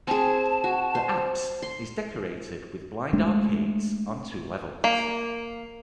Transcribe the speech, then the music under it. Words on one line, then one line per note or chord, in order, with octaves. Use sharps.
The apse is decorated with blind arcades on two levels.
C4 G#4 A5
F#4
C5
C6
G#3 A3 D4
A#3